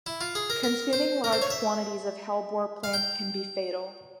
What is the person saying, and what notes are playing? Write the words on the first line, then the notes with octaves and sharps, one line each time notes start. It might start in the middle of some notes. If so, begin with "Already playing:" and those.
Consuming large quantities of hellebore plants can be fatal.
E4
F4
G#4
A#4
A#4
C5
A#4
C5
C#5
E5
F5
G5